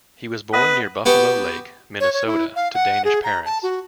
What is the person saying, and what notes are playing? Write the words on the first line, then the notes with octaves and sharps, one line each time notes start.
He was born near Buffalo Lake, Minnesota to Danish parents.
B3 B4 D#5
B3 F#4 G4
C#5
C#5
E4
F5
F#5
G#4
A#5
A5
F#4